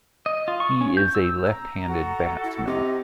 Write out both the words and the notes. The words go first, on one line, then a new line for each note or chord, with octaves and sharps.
He is a left-handed batsman.
D#5
F4
C#6
C#4
G6
E6
A#5
F#4 A4
E4
C3 D#5 A#5